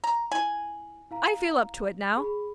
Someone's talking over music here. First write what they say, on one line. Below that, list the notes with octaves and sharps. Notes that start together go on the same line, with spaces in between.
I feel up to it now.
A#5
E4 G#5 F#7
E4 F5 A#5
G#4 B5